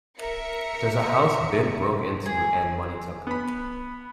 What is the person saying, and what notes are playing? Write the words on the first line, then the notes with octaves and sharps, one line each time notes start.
There's a house been broke into and money took.
A#4 E5 C#7
G#4
B3 B5